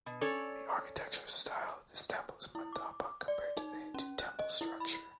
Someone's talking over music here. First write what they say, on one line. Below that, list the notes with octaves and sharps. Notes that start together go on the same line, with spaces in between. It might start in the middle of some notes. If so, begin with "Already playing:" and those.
The Architecture style of this temple is Mandapa compared to the Hindu temple structure.
B2
C#4 A4 C#5 D5
E4
D6
D5
D#4
C#4
F#6
D#5
E4
B5